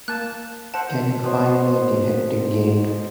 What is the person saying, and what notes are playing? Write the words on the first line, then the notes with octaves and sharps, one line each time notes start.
Can you find me the Hectic game?
A#3 A5 F#6
C5 F#5 A5
B2 C5 C#5